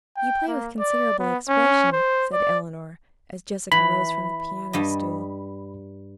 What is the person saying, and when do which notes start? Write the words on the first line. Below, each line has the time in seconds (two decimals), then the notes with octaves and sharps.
"You play with considerable expression," said Eleanor, as Jessica rose from the piano stool.
0.17 G5
0.48 A#3
0.80 D5
1.19 B3
1.48 C#4
1.93 C5
2.33 D5
3.72 E3 B5
4.73 G2 G3 D#5